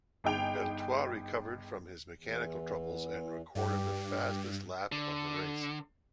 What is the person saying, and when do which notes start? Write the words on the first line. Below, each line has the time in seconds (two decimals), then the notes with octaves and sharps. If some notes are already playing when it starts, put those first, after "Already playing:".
Beltoise recovered from his mechanical troubles and recorded the fastest lap of the race.
0.24 G1 D#4 G#4 G5 F7
2.17 E2
3.55 G2 G4
4.92 D3